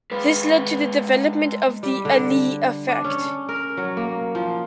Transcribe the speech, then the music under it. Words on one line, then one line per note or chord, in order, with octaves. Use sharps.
This led to the development of The Allee effect.
G#3 B4
G3
D3
D4
C#4
A#4
F#3
A#3
F3